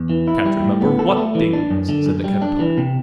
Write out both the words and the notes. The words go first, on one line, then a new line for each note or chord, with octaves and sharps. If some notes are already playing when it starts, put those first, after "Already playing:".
'Can't remember WHAT things?' said the Caterpillar.
Already playing: E2
E3
E4
G3
A2
B3
A4
A3
E3
D4
F#2
D3
F#2
G3
D4
E3
C3